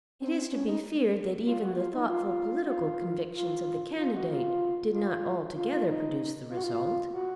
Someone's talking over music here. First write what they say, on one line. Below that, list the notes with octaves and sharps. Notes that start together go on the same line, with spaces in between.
It is to be feared that even the thoughtful political convictions of the candidate did not altogether produce the result.
C4
C#4
D#4
F4
F#4
F4
D#4
F4
F4
F#4
F4
F4
F4
F#4
F4
F4
F4
F4
D#4
F4
F#4
F4
F#4